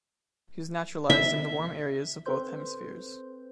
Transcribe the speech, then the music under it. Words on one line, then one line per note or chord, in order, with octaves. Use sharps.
He was naturalized in the warm areas of both hemispheres.
E5
C4 A4 B4 C5 C6 G6